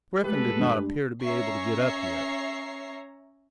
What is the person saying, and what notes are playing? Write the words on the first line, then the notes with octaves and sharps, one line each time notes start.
But Griffin did not appear to be able to get up yet.
G#3 A3 G4 A4 B4
G2
C#4 C#5 E5 A#5 C#6 C7